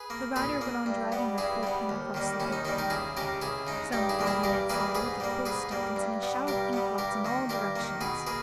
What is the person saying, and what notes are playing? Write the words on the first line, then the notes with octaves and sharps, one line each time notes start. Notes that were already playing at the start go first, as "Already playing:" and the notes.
The writer went on driving her quill-pen across the paper. Some five minutes later the quill stuck and sent a shower of ink-blots in all directions.
Already playing: G#4 B4
A#3
A#2 G#4 B4
A#3
G2
G3 B3
G2 E4 G#4
G3 B3
D#2
D#3 G3 A#3
D#2 C#4 E4
D#4
D#3 G3 A#3 D#4
G4 A#4
C#2 E4 G#4
C#3 G#3 G4 A#4
C#2 E4 G#4
C#3 G#3 D#4
G2 D#4 G4
E4 G#4
E3 G3 A#3
E4 G#4
G2 G4 A#4
E3 G3 A#3 G#4 B4
G#2 G#4 B4
G3 A#3
G#2 G#4 B4
G3 A#3
G2
G3 B3
G2 G4 A#4
G3 B3
G2 G4 A#4
D#3 A#3
G2 G4 A#4
D#3 A#3
B2 G#4 B4
A#3 G#4 B4